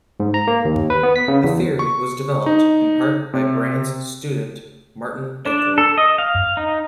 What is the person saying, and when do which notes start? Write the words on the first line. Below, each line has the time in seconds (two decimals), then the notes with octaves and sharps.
The theory was developed in part by Brandt's student Martin Eichler.
0.20 G#2
0.34 A#5
0.47 A#3
0.65 D#2
0.90 B4
1.03 B3
1.16 B6
1.28 C#3
1.44 E2
1.79 C#6
2.46 D#4
3.34 C3
5.46 D4
5.78 A4
5.98 D#5
6.18 F5
6.57 D#4